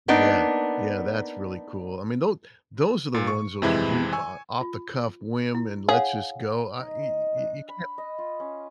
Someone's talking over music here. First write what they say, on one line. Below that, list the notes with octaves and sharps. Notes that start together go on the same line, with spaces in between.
Yeah. Yeah, that's really cool. I mean, tho those are the ones, those woo o off the cuff whim and let's just go. I y y y you can't
A#3 B3 D4 D#4
A#2
C#6
F2 C3 E3 G#3 E4 B5
G#5 C#6 E6
F4
E4
G#4 C#5 F5 F#5
D#4
D#5
D4
B5
D#5
F4
C#4